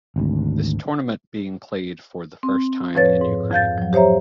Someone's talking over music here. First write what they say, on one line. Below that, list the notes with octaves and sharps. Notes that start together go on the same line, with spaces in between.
This tournament being played for the first time in Ukraine.
G#1 D2
C4
F2 A2 F3 B4 C#5 A6
G#2
F2 F5 G6 A6
F3 F#3
G4 C5 C#5 E5 A#5